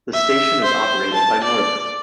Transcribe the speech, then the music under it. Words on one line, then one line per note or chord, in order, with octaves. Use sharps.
The station is operated by Northern.
E5
C5
A5
D5